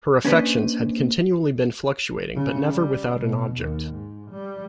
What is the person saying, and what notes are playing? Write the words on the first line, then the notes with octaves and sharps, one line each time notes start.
Her affections had continually been fluctuating but never without an object.
A#3 C#4 D4 B4 C5 D#5
C#3
G3
B2
D#2
G#2
G3